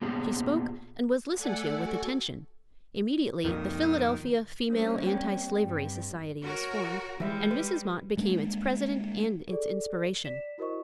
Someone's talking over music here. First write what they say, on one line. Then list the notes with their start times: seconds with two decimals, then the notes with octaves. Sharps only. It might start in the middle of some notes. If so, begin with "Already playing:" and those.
She spoke, and was listened to with attention. Immediately the Philadelphia Female Anti-Slavery Society was formed, and Mrs. Mott became its president and its inspiration.
0.02 A#2 B3 G4 G#4
1.34 A3 A4 D5 F#5 G#5
1.77 F#4 A4 G#5
3.44 F2 A#2 D#3
4.70 G3 A#3 C#4 D4 C5
5.03 C4 D5 G5
5.60 G2 G3
6.42 F#4 A#4 C#5
7.20 E3 G3 G#3 E5
7.51 B4
8.17 G3 G#3 A#3 D4
9.49 G#4 A4 D5
10.25 D5 B6 E7
10.58 E4 F#4 A#4 C5 D#5 C#6